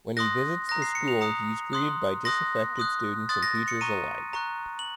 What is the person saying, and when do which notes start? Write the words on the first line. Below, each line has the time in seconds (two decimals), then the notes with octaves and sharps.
When he visits the school, he's greeted by disaffected students and teachers alike.
0.17 C6 D#6 F#6 A#6
0.69 A#5 D#6 F#6 A#6
0.82 C7
0.95 C#7
1.08 F7
1.21 A#5 D#6 F#6 C#7
1.73 C6 D#6 F#6
2.25 C6 D#6 F#6 A#6
2.77 C6 D#6 F#6
3.29 C6 D#6 F#6 A6
3.43 A#6
3.55 A#6
3.68 C#7
3.81 A#5 C#6 F#6 D#7
4.33 A#5 C#6 F#6
4.79 F#7